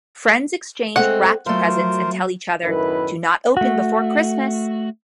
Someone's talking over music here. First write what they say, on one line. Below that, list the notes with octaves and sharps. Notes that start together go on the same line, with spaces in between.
Friends exchange wrapped presents and tell each other, Do not open before Christmas!
G#3 A3 C4 A4 F#5
F#3 A3 F4 A#4 C5 F5
F#2 A2 D#3 E4 B4
A3 F#4